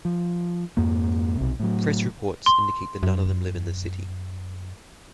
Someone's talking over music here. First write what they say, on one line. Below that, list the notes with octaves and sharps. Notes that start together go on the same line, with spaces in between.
Press reports indicate that none of them live in the city.
F3
F2 G#2 A#3
B1 C3
A2 F#3
C6
F#2